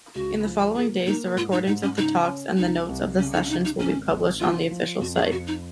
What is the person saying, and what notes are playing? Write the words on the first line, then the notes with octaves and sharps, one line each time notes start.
In the following days the recordings of the talks and the notes of the sessions will be published on the official site.
C#2 F#4
F3
A#3 G#4
A#3 D#4
G#2 F4
D#4
G#2 D#4
C#4
C#3 D#4
C#4
C2 D#4
C2
C#3 C#4
D#4
C#4
C#3 D#4
D#4
G#1 C#4
G#1
F3 F4
F3
F2 F#4
G#4
F2 F#4
D#4